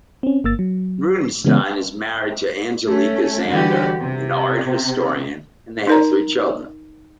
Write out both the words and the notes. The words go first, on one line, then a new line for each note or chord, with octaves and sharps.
Rudenstine is married to Angelica Zander, an art historian, and they have three children.
C4 C#4
G1 A#3 E6 A6
F#3
C#3 E3 G#3 B3 C#4
A3 C#4
D3 E3 G3 F#4 G4
C3
D#4 A#4 A#5